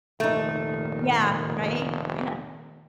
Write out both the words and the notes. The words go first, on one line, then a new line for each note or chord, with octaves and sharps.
Yeah. Right, yeah
F1 A#2 D#3 A3 D#4